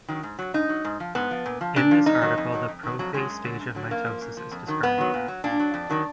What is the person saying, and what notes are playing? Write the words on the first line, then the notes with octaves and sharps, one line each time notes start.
In this article the prophase stage of mitosis is described.
D#3 F#3
G#2
F#3
G#2 D#4
F#3
G#2
F3
G#2 B3
F3
A#2
F3
A#2 D4
F3
F2 D#4
D#3 F#3
F2
D#3 F#3
F2
D#3 F#3
F2 F#3
D#3 F#3 G#3
F#2
D3 F#3
F#2
D3 F#3
F#2 A#3
F3
F#2
F3
F2
D#3 F#3
F2 B3
D#3 F#3
A#2
F#3
A#2 D4
F#3
F2
D#3 F#3